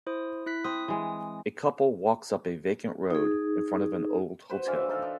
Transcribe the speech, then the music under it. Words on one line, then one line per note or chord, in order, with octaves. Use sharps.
A couple walks up a vacant road, in front of an old hotel.
E4 C5 D#6
E4 F#6 B6
C4 D#6
E3 G#3
D#4 G#4
F#4 B4 C5
D3 E3 F5
D#4 A4 F5
D4